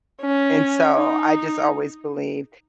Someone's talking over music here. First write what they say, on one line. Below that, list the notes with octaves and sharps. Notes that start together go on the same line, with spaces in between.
and so I just always believe
C#4
D#4